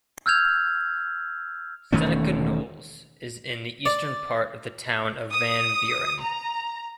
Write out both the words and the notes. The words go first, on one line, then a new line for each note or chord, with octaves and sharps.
Seneca Knolls is in the eastern part of the town of Van Buren.
E6 F6 G6 G#6 F7
E1 D#3 A3 C#4
D5
D#6
A#5